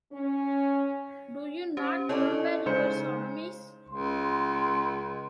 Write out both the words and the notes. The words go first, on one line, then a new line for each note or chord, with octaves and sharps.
Do you not remember your sodomies?
C#4
C#4 G4 C5
C#4 E4 A4 D5 D#5
C#3 G#3 D#4 C5 C#7
C#2 C6